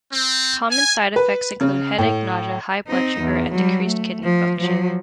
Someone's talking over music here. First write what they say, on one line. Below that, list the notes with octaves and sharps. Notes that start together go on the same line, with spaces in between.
Common side effects include headache, nausea, high blood sugar, and decreased kidney function.
C4
G#5
B4
C#3
A2
C4 D#4
E2
F#3 G3
A3
F3
F3 F#3